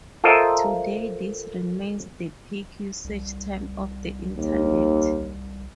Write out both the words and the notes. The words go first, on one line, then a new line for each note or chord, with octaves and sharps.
Today this remains the peak usage time of the Internet.
F4 A4 A#4 C5 D#5 E5
C2
D#2